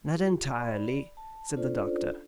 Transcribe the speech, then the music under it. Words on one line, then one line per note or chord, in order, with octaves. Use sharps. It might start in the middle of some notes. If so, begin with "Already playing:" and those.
"Not entirely," said the doctor.
F4 G4
D5 B5
A5
C#4 D4 F4 A4 C5 D5